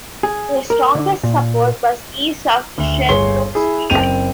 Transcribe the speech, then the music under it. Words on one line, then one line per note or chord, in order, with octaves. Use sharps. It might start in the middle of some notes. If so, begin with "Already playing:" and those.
Their strongest support was east of Sherbrooke Street.
G#4
A#4
D3
A#2
D2
G1 G#4 C#5 C6 G7
E4 G#4
F#1 C4 G5 D#7 F7